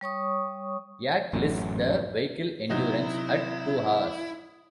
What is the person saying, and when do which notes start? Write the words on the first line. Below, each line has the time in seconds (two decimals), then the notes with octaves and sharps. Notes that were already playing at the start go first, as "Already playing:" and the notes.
Yak lists the vehicle endurance at two hours.
0.01 G3 C#5 C#6 D#6
1.33 A1 F#2
2.70 C3 F#3 D#4 E4